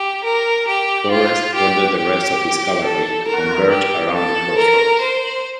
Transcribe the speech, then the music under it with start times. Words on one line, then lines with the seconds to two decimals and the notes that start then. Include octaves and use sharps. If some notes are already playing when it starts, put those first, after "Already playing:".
Forrest ordered the rest of his cavalry to converge around the crossroads.
Already playing: G4
0.24 A#4
0.68 G4
1.11 F4
1.54 G4
1.97 G4
2.84 A4
3.27 A#4
3.70 G4
4.14 A4
4.57 A#4
5.01 C5